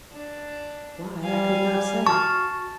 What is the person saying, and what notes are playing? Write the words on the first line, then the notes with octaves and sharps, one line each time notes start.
Why, I could not say.
D4
G3 F5 G#5
F#4 A5 C#6 F6